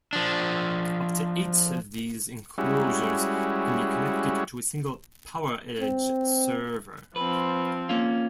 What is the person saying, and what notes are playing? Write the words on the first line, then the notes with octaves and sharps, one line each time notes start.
Up to eight of these enclosures can be connected to a single PowerEdge server.
F3 D4
G3 G#3 C#4 E4 F#4
C4
F3 C4 B4
A#3 C#4 F4